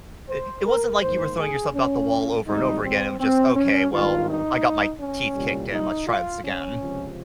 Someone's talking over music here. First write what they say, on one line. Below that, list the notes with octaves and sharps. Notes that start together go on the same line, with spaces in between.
I It wasn't like you were throwing yourself out the wall over and over again. It was just, "Okay well, I got my teeth kicked in let's try this again."
C5
A#4
G#2 D#3 A#3 C5
G#4
C#4
G#1 G#2 G3 C4 D#4
C4
C4
C#4
G#1 G2 D#3 F4
D#4
C#4
C2 A#2 G3
D#4
F4
C#4
C#2 C3 F3